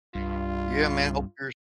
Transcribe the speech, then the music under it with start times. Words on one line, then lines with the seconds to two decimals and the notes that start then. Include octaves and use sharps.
yeah, man, hope your
0.15 C2 G2 F4